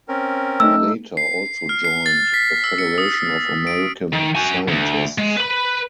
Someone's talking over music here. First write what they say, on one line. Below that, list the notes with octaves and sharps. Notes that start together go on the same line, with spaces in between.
He later also joined the Federation of American Scientists.
C4 C#4 A#4
A3 D#4 E6
C7
F6
C7
A6
B6
E6
C#7
D#6
D7
D#3
F#4 G#5
D2
G#3
B4 B5